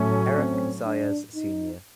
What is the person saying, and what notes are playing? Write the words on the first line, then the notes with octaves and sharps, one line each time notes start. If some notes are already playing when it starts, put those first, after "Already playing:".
Eric Zayas Sr.
Already playing: A2 F#3 A3 C#4
C4
D4
D#4